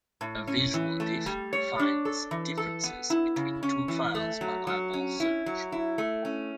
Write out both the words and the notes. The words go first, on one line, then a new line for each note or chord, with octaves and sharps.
A visual diff finds differences between two files by eyeball search.
A2
C#4
E3
A3
G3
C#5
D4
A4
E3
A4
B3
E4
C#3
C#4
E3
A3
F#3
F#3
C#4
E4
F#3
E4
A3
C#4